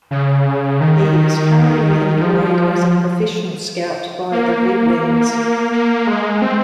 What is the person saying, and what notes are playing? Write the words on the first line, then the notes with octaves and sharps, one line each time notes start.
He is currently employed as a professional scout by the Red Wings.
C#3
D#3
F3
A#3
A#3
G#3
C4